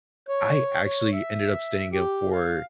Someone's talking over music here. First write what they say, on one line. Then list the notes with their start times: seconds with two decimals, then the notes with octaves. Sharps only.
I actually ended up staying up for
0.29 C#5
0.85 C#5
1.13 E5
1.93 G4
2.32 F5